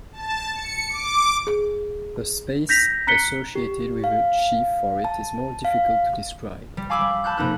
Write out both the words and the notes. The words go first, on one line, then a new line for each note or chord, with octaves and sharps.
The space associated with a sheaf, for it, is more difficult to describe.
A5
C#7
D6
G#4
G6 A#6 B6 F7
A#5 F#6 B6 C#7 G7
G4
F5
A5
F5
G3
F5 G#5 B5 D6 E6
G3
A5 B5 F#6 G6
F1 A#3 D#4 B5 E6 F#6